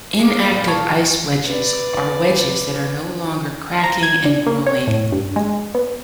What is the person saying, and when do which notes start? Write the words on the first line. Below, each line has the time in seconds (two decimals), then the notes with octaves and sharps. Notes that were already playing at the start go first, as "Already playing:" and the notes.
Inactive ice wedges are wedges that are no longer cracking and growing.
0.19 G#3 A#3 D6
0.52 A#2 G3 B5
0.67 G#4 A#4 A5 C#6 G#6
1.44 B4 D5
3.84 A#5
4.03 G#6
4.25 D4
4.46 A#3
4.66 C#5
4.87 A2
5.12 G2
5.36 G#3
5.75 B3